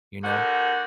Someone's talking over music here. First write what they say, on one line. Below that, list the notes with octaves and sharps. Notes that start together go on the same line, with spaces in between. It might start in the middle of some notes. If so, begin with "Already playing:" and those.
You know?
D2 G3 F#4 A4 A#4 F#5